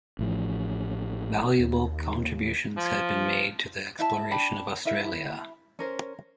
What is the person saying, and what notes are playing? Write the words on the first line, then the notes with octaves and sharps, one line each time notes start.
Valuable contributions had been made to the exploration of Australia.
A1 A2 F3
D#2
F3
E4 E5 A5
D4 G5 A5 B5
E4 A#4 E5
E4
C#4 A#4 C5